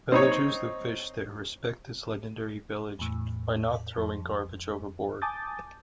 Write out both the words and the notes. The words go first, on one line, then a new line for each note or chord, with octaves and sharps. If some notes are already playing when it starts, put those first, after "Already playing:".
Villagers who fish there respect this legendary village by not throwing garbage overboard.
C4 D#4 C#5
E2 A2
F2
G#5 A5 D6 D#6 G6 A6